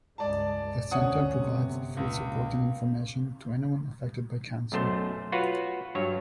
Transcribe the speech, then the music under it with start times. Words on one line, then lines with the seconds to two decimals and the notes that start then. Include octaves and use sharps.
The centre provides free support and information to anyone affected by cancer.
0.18 C#2 G2 G#3 D5 A5
0.91 F1 D2 C#4 C#5 F#5 D#6
1.31 G1 C3
1.97 C#2 A#2
4.72 B1 F#2 A3 C5
5.32 F4 F#4 B4 C#5
5.95 G2 F#3 C#5